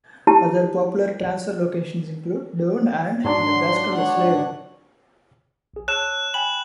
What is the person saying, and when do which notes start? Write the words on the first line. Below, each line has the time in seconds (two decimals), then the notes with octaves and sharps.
Other popular transfer locations include Doane and Nebraska Wesleyan.
0.27 E4 G4 A5
3.24 G#2 F#3 D4 C6
3.94 C#5 F#5
5.74 A#1 G#4
5.88 C#5 A5 E6 F#6 E7
6.34 G5 G#5 B5 F#7